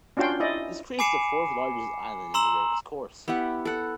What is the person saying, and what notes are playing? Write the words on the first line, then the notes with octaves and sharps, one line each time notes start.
This creates the fourth largest island in the rivers course.
C#4 D4 F4 F#4 G5 C6
E4 D5 D#5
G#5 B5 D6 C7 C#7 E7
A#5 C6 E6 E7 F#7
B3 E4 G4 F#5
A4 F#5